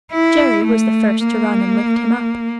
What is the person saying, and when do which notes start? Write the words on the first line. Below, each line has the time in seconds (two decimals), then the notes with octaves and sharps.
Jerry was the first to run and lift him up.
0.13 E4
0.65 A3
1.26 A#3